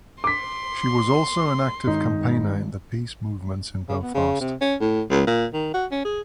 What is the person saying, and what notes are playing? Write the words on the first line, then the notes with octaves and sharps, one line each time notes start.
She was also an active campaigner in the peace movements in Belfast.
C6 D6 B6
G2 D#3 G#3 D#4
C#3
B3
C#3
C3
C#4
A2
C#2
A#2
D#3
F#4
C#4
G#4